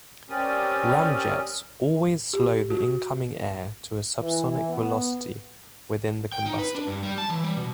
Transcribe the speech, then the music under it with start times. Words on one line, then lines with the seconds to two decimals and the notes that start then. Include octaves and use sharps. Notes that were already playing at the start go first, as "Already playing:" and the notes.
Ramjets always slow the incoming air to a subsonic velocity within the combustor.
0.30 C4 C#4 G4 A#4 D5 D#6
2.33 G4
2.70 F#4
4.20 E3
4.69 B3
6.32 G5
6.46 D#4
6.59 B4
6.75 D4
6.87 G2
7.03 G3
7.18 A5
7.29 E3
7.43 G3
7.57 B2